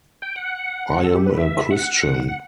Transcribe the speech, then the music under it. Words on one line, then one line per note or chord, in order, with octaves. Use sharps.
I am a christian.
G5
F#5
A4
G4
B4
E5
F#5
F#5